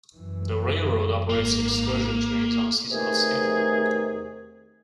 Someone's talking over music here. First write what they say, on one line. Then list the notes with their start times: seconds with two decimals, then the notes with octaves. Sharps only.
The railroad operates excursion trains on a seasonal schedule.
0.17 F#2 E3
1.30 G#1 A#3
2.91 E2 C3 D#3 A3 G#4